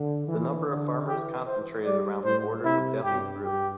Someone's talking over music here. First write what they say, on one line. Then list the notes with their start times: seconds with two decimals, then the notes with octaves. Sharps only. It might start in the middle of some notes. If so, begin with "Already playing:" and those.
The number of farmers concentrated around the borders of Delhi grew.
Already playing: D3
0.28 E3
0.67 D3
1.07 E3 G4
1.46 E3 C5
1.85 G3 D5
2.25 A2 C5
2.65 C3 E4
3.04 G2 G4
3.44 G2 G4